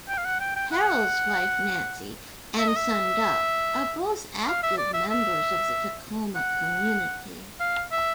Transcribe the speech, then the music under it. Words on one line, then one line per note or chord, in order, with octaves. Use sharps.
Harold's wife, Nancy, and son, Doug, are both active members of the Tacoma community.
G5
F5
F#5
G5
G5
F#5
E5
D#5
E5
F5
E5
D5
E5
E5
F#5
F5
E5